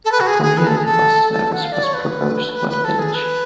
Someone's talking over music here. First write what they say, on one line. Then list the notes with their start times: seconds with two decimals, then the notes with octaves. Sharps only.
A community bus service was proposed for the village.
0.05 A4
0.12 B4
0.20 F#4
0.27 G#4
0.42 G#4
0.58 B4
0.67 A4
0.77 G#4
0.85 A4
1.33 A4
1.52 F#5
1.62 F5
1.72 D5
1.83 C#5
1.94 B4
2.54 B4
2.69 B4
2.84 A4
2.99 G#4
3.14 B4